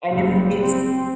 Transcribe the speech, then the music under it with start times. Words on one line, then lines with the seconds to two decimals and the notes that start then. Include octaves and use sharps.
and if it's
0.11 F#1 G3
0.61 C4